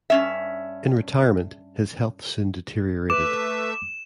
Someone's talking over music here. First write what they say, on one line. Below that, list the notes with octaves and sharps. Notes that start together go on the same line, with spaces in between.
In retirement, his health soon deteriorated.
G2 C#4 E5
A3 B4 E5 D6 E7